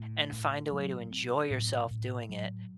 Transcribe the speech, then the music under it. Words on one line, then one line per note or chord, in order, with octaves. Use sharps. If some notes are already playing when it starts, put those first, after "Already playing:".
and find a way to enjoy yourself doing it
Already playing: A2
A2
F#3
C4
A2
A2
F#3